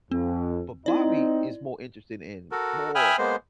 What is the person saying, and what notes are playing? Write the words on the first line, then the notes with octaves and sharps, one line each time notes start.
but Bobby is more interested in more
F2 C4
C4 D#4 E4 D5
F#4 A4 A#4
E5 G5 G#5 B5 D#6 F6
G#3 A#3 B3 C5